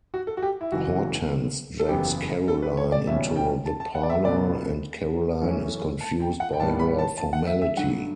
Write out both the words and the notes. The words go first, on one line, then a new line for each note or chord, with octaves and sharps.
Hortense drags Caroline into the parlour and Caroline is confused by her formality.
F#4
A4
F#4
G4
E4
F#1 F#2 E3 F#4
A4
F#1 E2 C#3 F#3 B3 G4
A4
B4
C#5
D5
C#2 B2 G3 C#4 E5
G5
A5
A5
F#5
D5
E5
C#2 B2 F#3 B3 D5
F#2 E3 A3 C#4
A5
G5
F#5
G5
A1 A2 G3 B3 A5
B5
A5
A5
F#5
E5
E5
G2 D3 F#3 F#5